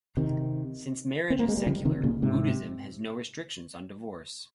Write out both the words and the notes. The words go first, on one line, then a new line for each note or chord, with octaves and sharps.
Since marriage is secular, Buddhism has no restrictions on divorce.
C3 D#3
C4
A#3
G#3
G3
C#3 F3
C3 D#3
A#2 C#3
G#2 C3